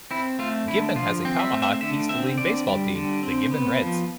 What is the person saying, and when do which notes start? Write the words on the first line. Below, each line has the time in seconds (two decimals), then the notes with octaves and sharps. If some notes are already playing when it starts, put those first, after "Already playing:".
Gibbon has a Tomahawk East League baseball team, the Gibbon Reds.
0.11 C4 E4
0.39 A3 F4
0.67 D3 E4
0.96 F3 F4
1.25 C4
1.39 E5
1.52 A3
1.62 E5
1.81 D3 E5
2.09 C4 E5
2.38 D3 D5
2.67 G3
2.95 D3
3.23 C4
3.51 B3
3.81 F3